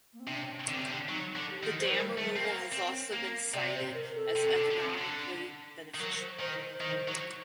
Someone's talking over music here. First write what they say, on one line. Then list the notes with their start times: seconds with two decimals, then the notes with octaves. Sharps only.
The dam removal has also been cited as economically beneficial.
0.13 A#3
0.20 C4
0.27 C3 D4
0.68 D3 C4
0.79 C3
0.91 D3
1.09 F#3 D#4
1.36 D3
1.50 G4
1.63 D#3
1.80 C5
1.85 F#3
1.90 G3 A#4
2.18 A3
2.36 C4
2.45 A#3
2.73 C4
3.13 A#3
3.54 C3 D5
3.75 C5
3.94 A#4
4.15 A4
4.36 C3
4.56 D3
4.71 D3
4.77 C3
4.97 D3
5.94 D#3
5.99 F#3 A#4
6.19 C5
6.40 D#3 C5
6.60 C5
6.81 D#3
7.08 F#3